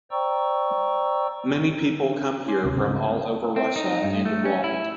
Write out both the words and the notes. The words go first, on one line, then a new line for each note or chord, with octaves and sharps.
Many people come here from all over Russia and abroad.
C5 D5 G5 A#5 C#6 E6
C#4 G#5 C6 D6 C7
D2 C3
G#2 C#3 G#3 C4
C4
D#4
G2
A3
C#4
E4